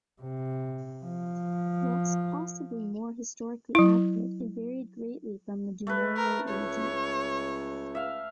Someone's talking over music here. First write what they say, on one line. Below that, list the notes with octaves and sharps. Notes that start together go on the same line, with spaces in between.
Whilst possibly more historically accurate, it varied greatly from the Du Maurier original.
C3
F3
F#3 E4
A3 B4
A#4
C#2 C#5
E5 F5